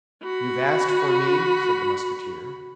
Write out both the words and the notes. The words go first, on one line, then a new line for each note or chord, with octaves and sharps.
"You have asked for me?" said the Musketeer.
F#4 B5